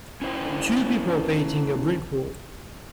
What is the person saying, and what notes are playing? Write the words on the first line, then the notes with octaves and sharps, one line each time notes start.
Two people painting a brick wall.
C#4 E4 C5 G5